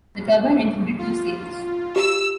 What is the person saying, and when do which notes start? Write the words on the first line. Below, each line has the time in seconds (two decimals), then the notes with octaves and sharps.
The turbine included two stages.
0.99 F4
1.96 G4 E6